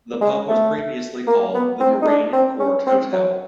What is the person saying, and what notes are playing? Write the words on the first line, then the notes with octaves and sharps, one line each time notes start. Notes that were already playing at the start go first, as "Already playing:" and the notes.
The pub was previously called the Marine Court Hotel.
G#3
A3
A#3
B3
C4
D#4
D4
C4
C#4
C4
F#3